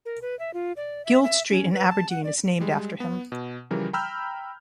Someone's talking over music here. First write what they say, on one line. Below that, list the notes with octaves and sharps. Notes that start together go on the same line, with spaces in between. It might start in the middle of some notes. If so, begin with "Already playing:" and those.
Guild street in Aberdeen is named after him.
A#4
B4
E5
F4
D5
E5
E5
C#4
B4
A5
F#5
D5
G3 G#3
B3
B2
C#3 E3 F3 G3 A#4
G5 A#5 B5 E6 F6 G6